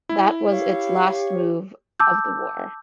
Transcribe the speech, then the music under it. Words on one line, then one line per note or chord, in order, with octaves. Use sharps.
That was its last move of the war.
E4
G4 C#5 F5
A5 D6 E6 G6